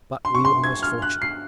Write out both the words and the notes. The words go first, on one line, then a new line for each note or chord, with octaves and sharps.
But we were most fortunate.
C6
C#6
C6
G#6
F6
F#6
C7